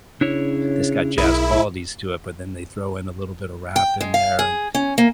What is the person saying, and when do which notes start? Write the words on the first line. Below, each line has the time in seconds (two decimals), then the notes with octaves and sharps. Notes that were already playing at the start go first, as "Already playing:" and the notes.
this got jazz qualities to it, but then they throw in a little bit of rap in there and
0.21 C#3 D4 E4 C#5
1.18 B1 E4 G#4 A#4
3.76 G5
4.01 G#3
4.14 F5
4.39 G#4
4.75 C#4
4.98 A#3